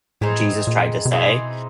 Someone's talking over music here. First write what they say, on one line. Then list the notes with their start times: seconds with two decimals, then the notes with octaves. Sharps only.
Jesus tried to say,
0.21 A2 E3 G#3 C4 D#4
0.67 A#2
1.05 C3
1.11 B2 E3 G#3 C4 D#4